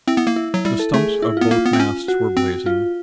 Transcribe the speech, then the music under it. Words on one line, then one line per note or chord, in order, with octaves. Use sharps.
The stumps of both masts were blazing.
C4 E4
B3
A#3
E4
F#3
G3 E4
A4
A3 G#4
E4
B3 F4
A#3 F4
B3
C4
C#4
F#4
C4
F4